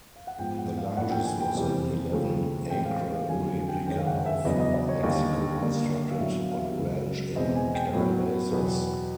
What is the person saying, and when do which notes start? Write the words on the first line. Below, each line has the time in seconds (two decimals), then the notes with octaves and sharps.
The largest was an eleven-acre replica of Mexico constructed on a ranch in Calabasas.
0.16 F5
0.27 F#5
0.38 G#2 F3 G#3 B3 G5
0.58 F#5
0.78 F5
0.97 A2 F3 A#3 D4 F#5
1.11 G5
1.25 G#5
1.40 G5
1.54 F2 C3 E3 G3 C4
2.13 D#2 C#3 F3 A3
2.70 A2 E3 G#3 C4 G5
2.85 F5
3.14 F5
3.29 F2 D3 F#3 A3 G#5
3.49 G#5
3.68 G5
3.87 F#2 D#3 G#3 C#4 G5
3.98 F5
4.06 F#5
4.26 E5
4.45 E2 C#3 F#3 B3 D4 D#5
4.60 D#5
4.74 D5
4.89 C#5
5.03 D#2 D3 G3 D#5
5.61 D#2 D3 G3 A#3 D4
6.11 F5
6.19 A2 F#3 B3 D4 E5
6.39 F5
6.51 F5
6.58 E5
6.77 C#2 C#3 F#3
7.36 E2 B2 G#3 C4 D#5
7.55 G#5
7.74 G5
7.93 A2 F#3 B3
8.52 E2 B2 F#3 B3